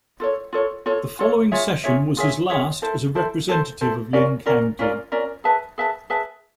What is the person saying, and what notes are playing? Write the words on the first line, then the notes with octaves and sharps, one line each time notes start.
The following session was his last as a representative of Linn County.
F4 A4 C#5
F4 A4 C#5
F4 A4 C#5
F4 A4 C#5
F4 G#4 C#5 E5
F4 G#4 C#5 E5
F4 G#4 C#5 E5
F4 G#4 C#5 E5
E4 A4 C5
E4 A4 C5
E4 A4 C5
E4 A4 C5
C#4 F4 A#4 D5
C#4 F4 A#4 D5
C#4 F4 A#4 D5
C#4 F4 A#4 D5
G#4 B4 E5 A5
G#4 B4 E5 A5
G#4 B4 E5 A5